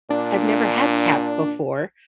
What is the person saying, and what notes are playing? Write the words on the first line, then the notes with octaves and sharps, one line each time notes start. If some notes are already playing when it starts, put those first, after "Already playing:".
I've never had cats before,
A#2 D4